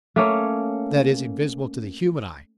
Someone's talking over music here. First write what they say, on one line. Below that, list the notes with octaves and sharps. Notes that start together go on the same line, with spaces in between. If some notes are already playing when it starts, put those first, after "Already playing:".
That is, invisible to the human eye.
A3 A#3 C#4